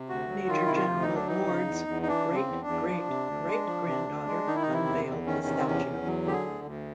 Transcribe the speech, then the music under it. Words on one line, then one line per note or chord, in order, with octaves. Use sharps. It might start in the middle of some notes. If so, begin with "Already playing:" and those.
Major General Ward's great-great-great-granddaughter unveiled the statue.
Already playing: C3
D2 F#4
F#3
D#3 F4
C3 E4
F4
D2
D#4
F#3
D4
E3 D#4
C#3
E2
E2
D#4
E3 D4
C#3
C4
E2
D4
E2
F3
C3
D2
G#3
F3
C3
D2
G#3
D#3 D#4
E4
D#4
C3
E4
E2
E2
D#3 C#4
C3
C4
E2 C#4
E2
F#3
D3 G4
G#4
D2
D2